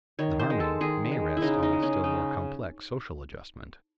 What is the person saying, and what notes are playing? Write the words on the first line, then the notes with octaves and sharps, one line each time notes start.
The harmony may rest on a still more complex social adjustment.
D#3 C#5
C5
G#3
A4
D#3 G#4
G#3
E4
C#3 D#4
D#4
G#3
C#4
C#3 D#4